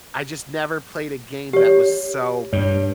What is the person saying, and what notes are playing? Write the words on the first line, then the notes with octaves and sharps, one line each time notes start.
I just never played a game that was so
G4 C#5
G2 C#5